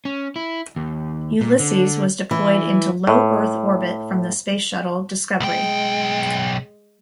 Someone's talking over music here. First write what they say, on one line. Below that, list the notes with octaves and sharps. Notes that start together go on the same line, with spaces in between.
"Ulysses" was deployed into low-Earth orbit from the Space Shuttle "Discovery".
C#4
E4
D#2
A#2
D3
E3
A2
B1 G#3 G5